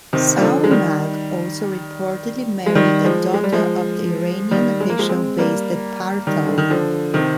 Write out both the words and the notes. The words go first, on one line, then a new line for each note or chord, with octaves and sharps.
Saurmag also reportedly married a daughter of the Iranian official based at Partaw.
C3 D#3
G3
D3 F3
G#3
D#3 G3
G#3
D#3 G3
F3 G#3
G#3
G3
F3 G#3
D#3 G3
G#3
A#3
F3 G#3
G#3 C4
G3 A#3
D#3 G3
D3
D#3
D3 F3
C3 D#3